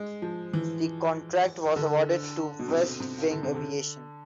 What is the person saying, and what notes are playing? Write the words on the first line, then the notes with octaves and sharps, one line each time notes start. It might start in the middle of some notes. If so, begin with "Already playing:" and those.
The contract was awarded to West Wing Aviation.
Already playing: G#3
F3
E3
D3
B2
C3
C3
D3
C3
D3